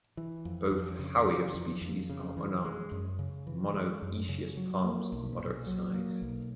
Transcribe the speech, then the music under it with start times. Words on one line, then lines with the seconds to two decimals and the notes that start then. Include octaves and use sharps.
Both "Howea" species are unarmed, monoecious palms of moderate size.
0.17 E3
0.45 F2
0.72 F2
0.99 C#3
1.27 E3
1.54 F2
1.81 F2
2.10 C#3
2.37 E3
2.65 G#3
2.92 F#2
3.19 C#3
3.47 E3
3.74 G#3
4.02 F#2
4.29 C#3
4.57 F#3
4.84 A#3
5.12 B1
5.40 A#2
5.67 F#3
5.94 A#3
6.22 B1